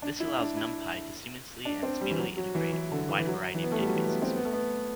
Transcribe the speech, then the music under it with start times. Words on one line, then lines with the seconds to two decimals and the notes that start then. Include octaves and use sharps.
This allows NumPy to seamlessly and speedily integrate with a wide variety of databases.
0.02 D4
0.20 E4
0.38 D4
0.57 E4
1.65 D4
1.83 C4
2.01 G3
2.11 E3
2.19 F#3
2.37 F#3
2.55 E3
2.73 E3
2.92 D3
3.09 E3
3.19 E3
3.27 F#3
3.54 E3
3.64 B3
3.72 A3
3.79 G3
3.87 F#3
3.95 E3
4.08 B3
4.22 C4
4.36 B3
4.45 A3
4.53 B3